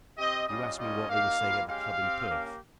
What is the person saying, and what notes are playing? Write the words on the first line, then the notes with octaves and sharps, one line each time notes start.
You ask me what they were saying at the club in Perth.
C4 G4 D#5
G3 C#4 F4 D#5
G3 A#3 C#4 F4 D#5
A#3 D#4 G4 F5
G3 A#3 F4
G#3 C#4 G4 F5
C4 G4
A#3 C#4 G4